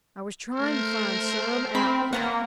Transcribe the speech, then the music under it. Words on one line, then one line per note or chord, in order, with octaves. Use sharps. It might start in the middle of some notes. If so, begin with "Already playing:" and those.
I was tryin' to find some outfit.
A3 A#4 C5
C4 B5
F#3 A#3 B3 F#5